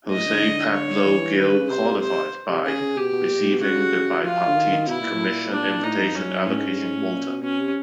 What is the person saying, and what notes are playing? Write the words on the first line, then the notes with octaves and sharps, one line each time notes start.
Jose Pablo Gil qualified by receiving the bipartite commission invitation allocation quota.
A2 D#5
D3
D3
C#5
E3
D#3 B4
C#3
C3 C5
C5
C3
C#3 G#4
C#3
B2 G4
B2
A#2
A2
B2
C#3 F#4
F3 F4
D3
D#3
D#3
B2 E4
A#2
A2
A#2
D4
A#2
A2 D#4
F2
F#2 C#4
A2 C#4
G#2
G2
G#2
A2
A#2
B2
B2 C#4
C3